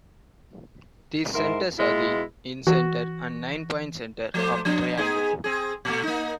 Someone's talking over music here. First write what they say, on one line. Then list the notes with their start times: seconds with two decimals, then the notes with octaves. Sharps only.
These centers are the incenter and nine-point center of the triangle.
1.34 G#2 E4 A#4 C6
1.79 B2 G#3 E4 F4
2.67 E3 F#4
4.34 F3 A3 C5
4.65 F3 D4
4.97 B3 D#4 G#4
5.44 C4 G#4
5.85 A#2 A3
6.03 A#3 D#4